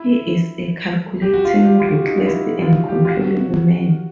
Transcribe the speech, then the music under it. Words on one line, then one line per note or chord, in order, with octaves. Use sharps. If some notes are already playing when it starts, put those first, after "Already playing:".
He is a calculating, ruthless, and controlling man.
Already playing: E4
G4
F#4
F4
G4
F4
F#4
D#4
E4
F4
F#4
G4
F4
F#4